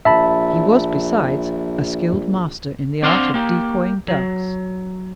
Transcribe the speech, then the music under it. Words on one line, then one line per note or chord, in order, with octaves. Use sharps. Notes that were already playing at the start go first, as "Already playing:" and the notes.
He was, besides, a skilled master in the art of decoying ducks.
A#1 E5 A5 B5
C4 D4 D5 F5 F#5 C6
A#3 G4
F#3